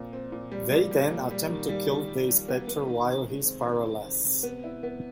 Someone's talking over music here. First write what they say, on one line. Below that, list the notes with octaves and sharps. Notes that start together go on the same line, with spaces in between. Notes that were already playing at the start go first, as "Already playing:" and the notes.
They then attempt to kill the Spectre while he is powerless.
Already playing: A#2 C4
C4
A#2
G3
G3
G3
A#2
G3
D#3
G3
D#3
G3
G3
B3
B3
D#3
C3
G#3
C4
D#3
C4
C3
C3
B3
E4
B3